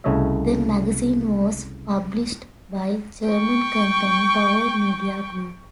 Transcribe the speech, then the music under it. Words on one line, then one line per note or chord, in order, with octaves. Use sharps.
The magazine was published by German company Bauer Media Group.
C2 C#3 A3 C#5 D#5 E5
G5 C#6